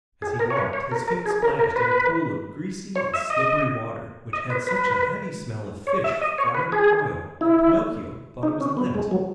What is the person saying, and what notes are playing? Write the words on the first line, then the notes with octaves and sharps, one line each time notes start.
As he walked his feet splashed in a pool of greasy and slippery water, which had such a heavy smell of fish fried in oil that Pinocchio thought it was Lent.
G#4
A#4
C#5
B4
C#5
A#4
A#4
G#4
A#4
A#4
B4
C#5
E5
D#5
D#5
B4
B4
C#5
E5
D#5
C#5
B4
G#4
E4
D#4
C#4
B3
G#3
F#3